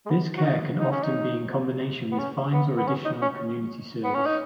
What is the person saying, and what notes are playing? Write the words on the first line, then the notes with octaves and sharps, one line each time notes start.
This care can often be in combination with fines or additional community service.
G#3
B3
F#4
D#4
D#4
C#4
D#4
B3
C#4
B3
B3
C#4
D#4
C#4
B3
C#4
D#4